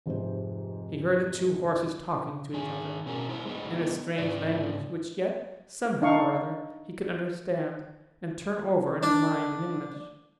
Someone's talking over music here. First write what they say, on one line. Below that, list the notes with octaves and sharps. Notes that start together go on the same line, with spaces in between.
He heard the two horses talking to each other--in a strange language, which yet, somehow or other, he could understand, and turn over in his mind in English.
F1 G#2 C3 C5
D#3 G#4
B2 C#4 G#4 A#4
E4 C5
G#3 B3 D#4
G#2 C#3 D5
D4 D#4 F5 C#6
D4